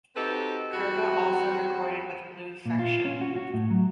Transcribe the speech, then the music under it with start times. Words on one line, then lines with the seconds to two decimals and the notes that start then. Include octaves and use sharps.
Kirka also recorded with Blues Section.
0.16 C4 D#4 F#4 G4 A4 B4
0.73 E2 G3 C4 F#4
2.66 A#2
2.79 F4
3.05 C#4
3.21 F#4
3.36 F#4
3.54 A2
3.70 F#3